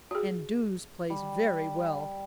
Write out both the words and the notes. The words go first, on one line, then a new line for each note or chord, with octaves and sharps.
And Doos plays very well.
F#4 G#4
G3